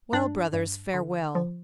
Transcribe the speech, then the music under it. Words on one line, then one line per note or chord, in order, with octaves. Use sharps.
'Well, brothers, farewell!
G2 D4
G2
D3
F3